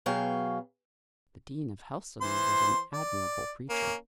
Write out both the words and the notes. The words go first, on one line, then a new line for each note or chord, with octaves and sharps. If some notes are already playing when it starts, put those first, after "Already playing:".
The dean of Helstonleigh was an admirable preacher.
B2 F#3 G#4 F5 G5
E3 C5 C6
D5
A#3 C#4